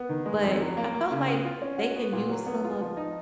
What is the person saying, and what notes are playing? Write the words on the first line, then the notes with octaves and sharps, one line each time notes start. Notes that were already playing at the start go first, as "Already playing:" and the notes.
but, I felt like they can use some of
Already playing: B3
D#3
G#3
F2
F#3
A#3
A#3
C#3
B3
F4
C#4
F#4
B3
A#2
F#3
B3
F4
F3
D#4